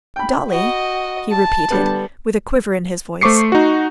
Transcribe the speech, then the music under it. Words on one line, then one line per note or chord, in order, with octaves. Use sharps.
"Dolly!" he repeated, with a quiver in his voice.
G5 B5
F#4 D#5
A5
D3 G3 B3
A3 C5 C#6 D6 C7 C#7
D#4 F#4